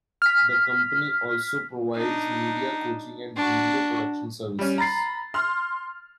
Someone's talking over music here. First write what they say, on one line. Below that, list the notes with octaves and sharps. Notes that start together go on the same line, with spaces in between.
The company also provides media coaching and video production services.
F6 B6
D4 D#4
D4 F#4
G3 C#4
A#5 B5 A6 C7
C6 F6